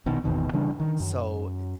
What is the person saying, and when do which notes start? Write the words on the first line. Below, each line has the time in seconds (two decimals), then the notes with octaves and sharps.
So, eh eh
0.06 A#1 B2 D#3
0.24 G#1 E2 B2 D#3
0.53 C#3 E3 G3 D4
0.80 D#3
1.00 F#2